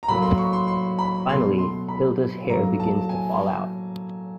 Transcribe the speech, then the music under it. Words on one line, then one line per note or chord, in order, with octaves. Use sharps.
Finally, Hilda's hair begins to fall out.
A#5
A2 F#3 A#3 B5
C6
C#6
C6
C6
B5
B2 F#3 A3 C6
C6
B5
A2 F#3 A#3 A#5
A5
G#5